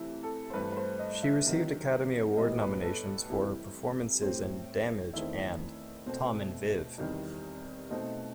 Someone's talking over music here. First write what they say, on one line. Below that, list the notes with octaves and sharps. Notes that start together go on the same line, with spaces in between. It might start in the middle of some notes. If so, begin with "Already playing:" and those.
She received Academy Award nominations for her performances in "Damage" and "Tom and Viv".
Already playing: C3 E3 A3 C4 E4
A4
C5
G2 E3 A3 C4 B4
B4
C5
D#5
E5
C3 D#3 F#3
A2 E3 G3 B3 D#5
B4
A4
C3 E3 G3 E4
A2 G3 C4
E2 D#3 A3 C4 E4
B2 A3 C4
E2 C3 D#3 G3
B2 A3 C4 D#4